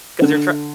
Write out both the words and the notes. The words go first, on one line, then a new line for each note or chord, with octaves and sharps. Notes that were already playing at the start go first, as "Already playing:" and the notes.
'Cause you're, tr
D3